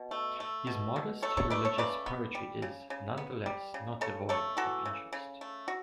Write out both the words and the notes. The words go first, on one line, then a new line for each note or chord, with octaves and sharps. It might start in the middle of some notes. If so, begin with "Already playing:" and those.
His modest religious poetry is, nonetheless, not devoid of interest.
Already playing: B2
A3
A3
B2
B2
A3 A4 C#5
A4 C#5
A3 B4 D5
A4 C#5
C#3 B4 D5
B3
G3
C#3
C#3
B3
G3
C#3
C#3 A4 C#5
A3 A4 C#5
E3 F#4 A4
C#3
C#3
A3
F#4